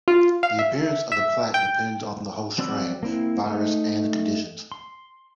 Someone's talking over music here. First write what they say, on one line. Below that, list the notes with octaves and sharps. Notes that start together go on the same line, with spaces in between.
The appearance of the plaque depends on the host strain, virus and the conditions.
F4
F5
E5
E5
G5
F#3 C4 D5 B5 E6
A#3 C4 E4
A3 D#4
C6